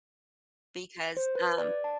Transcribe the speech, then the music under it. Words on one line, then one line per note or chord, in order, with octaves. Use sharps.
because, um,
C5
B4
D5
A5